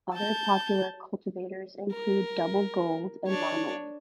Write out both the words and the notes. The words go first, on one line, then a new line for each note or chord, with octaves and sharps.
Other popular cultivars include 'Double Gold' and 'Marmalade'.
A5 G6
A#4
D4 C#5